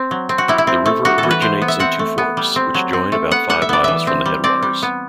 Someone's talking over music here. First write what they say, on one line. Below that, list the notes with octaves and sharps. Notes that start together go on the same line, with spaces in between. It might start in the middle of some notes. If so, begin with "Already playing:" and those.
The river originates in two forks, which join about five miles from the headwaters.
Already playing: C4
F#3
C4
F#4
G3 E4
E4
C4
A3
G3 F#4
A4
E3
B4
E3 C5
B3
E5
C4 F#5
A3
B3
G3
C4
F#3
C4
A3
B3 F#5
G3 F#5
E5
B3 D5
E3 E5
C4
G3
C4 D5
G3
B3